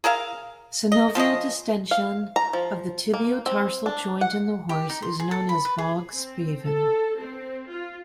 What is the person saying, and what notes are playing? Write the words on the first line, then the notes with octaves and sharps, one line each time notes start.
Synovial distension of the tibiotarsal joint in the horse is known as Bog spavin.
G#4 A#4 E5 F5
D#5
F3 G#3 A3 D#5
F5
A#5
F3
A#3
C4
D4
F#5
G4
D#4
C6
G#4
A4
B5
B4
G#4
C4
A4
C4
F4